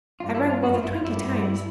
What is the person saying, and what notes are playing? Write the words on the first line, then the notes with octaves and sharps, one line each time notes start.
I rang more than twenty times.
G2 F4
E4
F4
F#2 F#4
F4
E4
F4
G2 E4